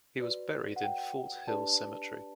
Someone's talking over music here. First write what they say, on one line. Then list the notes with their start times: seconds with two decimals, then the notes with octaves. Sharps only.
He was buried in Fort Hill Cemetery.
0.19 F#4 B4 D5
0.76 F#5
0.83 G5
1.48 D4 G4 B4 D5 A5